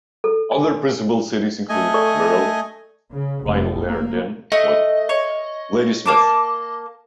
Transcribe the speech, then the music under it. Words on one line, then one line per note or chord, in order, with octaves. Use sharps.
Other principal cities include Merrill, Rhinelander, and Ladysmith.
A4
G#5
A3 D#5 G#5
A4 D5 C#6
C#3
F1
A#3
A3 D#5
C#5
A#3 A5 D6